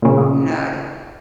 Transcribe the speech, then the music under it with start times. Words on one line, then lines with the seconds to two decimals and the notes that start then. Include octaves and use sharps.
no I don't
0.02 A#2 C#3